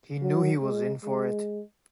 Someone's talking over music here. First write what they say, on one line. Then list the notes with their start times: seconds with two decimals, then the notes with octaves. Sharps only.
He knew he was in for it.
0.22 F#3
0.62 G#3
1.04 G#3